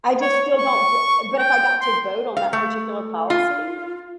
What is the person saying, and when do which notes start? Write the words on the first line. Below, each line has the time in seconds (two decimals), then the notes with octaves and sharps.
I just still don't d but if I got to vote on that particular policy,
0.21 C#5
0.58 C#6
1.38 G5
1.81 C6
2.37 F5
2.53 A3
3.30 F4